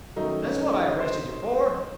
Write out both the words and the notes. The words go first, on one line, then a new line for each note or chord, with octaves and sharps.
"That's what I arrested you for."
F#2 D#3 F#3 A3 D#4
C#4
D#4
C5